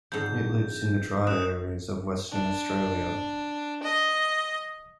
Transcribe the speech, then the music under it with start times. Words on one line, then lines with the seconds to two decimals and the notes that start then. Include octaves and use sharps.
It lives in the dry areas of Western Australia.
0.12 F2 G#2 D3 G6
1.27 F#2 D#6 F#6 E7
2.32 D4
3.83 D#5